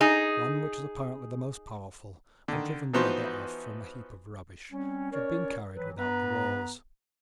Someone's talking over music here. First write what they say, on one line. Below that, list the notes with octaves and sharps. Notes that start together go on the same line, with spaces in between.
One, which was apparently the most powerful, had driven the other off from a heap of rubbish which had been carried without the walls.
D#4 G#4
D3 D#3
E3 F3 B3 D#4 F#4 C5
G3 C4 C#4
C#4 A#4 C#5 D5
D#3 E3 F#3 B4
G2 B3 B4 A#5